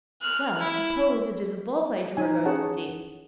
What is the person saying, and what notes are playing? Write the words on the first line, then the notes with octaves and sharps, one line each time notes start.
Well, suppose it is a bull-fight you are going to see?
F6 F#6
E4
D#4 G#5
C#4 G#4 C#5 F#5 A5